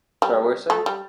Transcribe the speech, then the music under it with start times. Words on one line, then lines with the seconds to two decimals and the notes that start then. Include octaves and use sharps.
Sorry, what were you saying?
0.22 G3
0.70 A3
0.86 G3